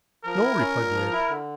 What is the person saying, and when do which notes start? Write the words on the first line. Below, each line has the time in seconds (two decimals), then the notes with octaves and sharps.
"No," replied the ape.
0.25 F3 A#4
0.42 E4
0.59 C#4
0.78 A#2
0.94 F3
1.12 E4
1.29 D3